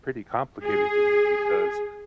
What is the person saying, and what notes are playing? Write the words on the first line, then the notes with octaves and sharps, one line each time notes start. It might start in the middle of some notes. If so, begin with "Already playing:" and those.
pretty complicated to me, because,
G#4